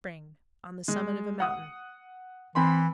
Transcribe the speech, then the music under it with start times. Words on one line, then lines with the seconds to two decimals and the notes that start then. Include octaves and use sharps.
Spring.--On the summit of a mountain.
0.88 G#3
1.40 F#5 D#6
2.55 E3 C4 B5 C6